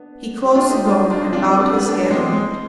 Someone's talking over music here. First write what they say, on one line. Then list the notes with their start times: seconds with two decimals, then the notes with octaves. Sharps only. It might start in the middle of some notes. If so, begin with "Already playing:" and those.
He closed the book and bowed his head on it.
Already playing: B3 D4
0.46 G4
0.55 D4 F4
0.70 D#4 G4
0.85 D4 F4
1.05 D#4
1.11 D4 F4
1.22 C4 D#4
1.33 D4 F4
1.44 C4 D#4
1.59 B3 D4
1.73 G3 B3
1.88 B3 D4
1.99 B3 D4
2.10 G#3 C4
2.21 G#3
2.32 G#3